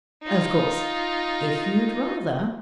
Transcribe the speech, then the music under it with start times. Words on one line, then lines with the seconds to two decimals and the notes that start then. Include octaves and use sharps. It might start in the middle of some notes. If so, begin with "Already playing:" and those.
Of course, if you'd rather ...
0.23 D#4 F4